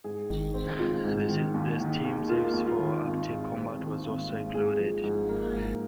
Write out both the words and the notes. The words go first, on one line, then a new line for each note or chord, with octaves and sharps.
The Steam service for Arctic Combat was also included.
G#2 G#4
D#3
C4
G#3 F4
G#2
D#3
D#2
D#3
D#2
A#3 F4
D#2
F4
D#3
G#1
G#2
C4
D#3
G#1
G#2
G#2 G#4
F3
G#2
A#3
G#2